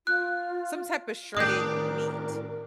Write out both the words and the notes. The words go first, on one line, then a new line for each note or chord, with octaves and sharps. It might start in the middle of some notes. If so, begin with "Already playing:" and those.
Some type of shredded meat,
F4 F#6
A2 D#3 D4 G4 A#4 D#6 G6